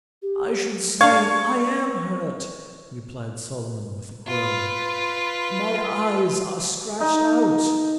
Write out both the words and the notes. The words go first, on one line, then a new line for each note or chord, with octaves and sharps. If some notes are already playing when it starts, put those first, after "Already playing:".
"I should say I am hurt!" replied Solomon, with a groan; "my eyes are scratched out!"
G4
D4 F5 C#6 G#6
F4 B4
D#4